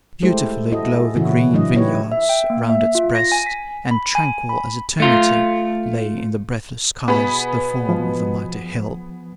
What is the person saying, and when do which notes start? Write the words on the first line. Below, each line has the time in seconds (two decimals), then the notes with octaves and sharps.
Beautifully glowed the green vineyards round its breast, and tranquil as eternity lay in the breathless skies the form of the mighty hill.
0.22 G#3 A3 E4 G4 A4 C5
0.72 E4 F#4 A4 D#5
0.92 G#4
1.15 A#2 C#3 E3 C#4 E4 F#4
1.53 E3 F#3 D4 E4 D#5
1.76 D#4 E4 G4 B4 C#5
2.12 E5
2.29 G5
2.50 A#3
2.70 E5
2.95 F4
3.15 A#6
3.32 G#5
3.46 B6
3.91 B5
4.15 G#5
4.49 B5
5.00 A3 F4
7.08 B2 B3 G#4 B5
7.89 F3